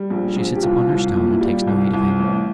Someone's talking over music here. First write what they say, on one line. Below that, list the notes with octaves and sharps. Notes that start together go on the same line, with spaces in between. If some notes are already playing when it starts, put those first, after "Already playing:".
She sits upon her stone, and takes no heed of him.
Already playing: G3
A#1
A#1
G4
C2 F4
C2
A#2
E4
G3 F4
C2
C2
A1